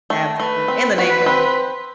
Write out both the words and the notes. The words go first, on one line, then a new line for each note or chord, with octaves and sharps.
absolute and the name-brand.
A3
A3 B4
C4
F#4 B4
C4